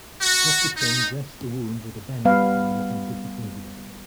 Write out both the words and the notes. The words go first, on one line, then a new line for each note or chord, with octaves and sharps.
Doctor Kim dressed the wound with a bandage while looking disappointed at me.
F#4
D#4
G3 B3 B4 F5